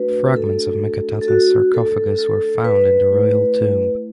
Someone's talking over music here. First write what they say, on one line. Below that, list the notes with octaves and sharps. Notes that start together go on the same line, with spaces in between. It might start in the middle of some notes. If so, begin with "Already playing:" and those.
Fragments of Meketaten's sarcophagus were found in the royal tomb.
Already playing: A3 D4 F#4 B4
A4
A4
F#4
A4
A4
B4
A3 E4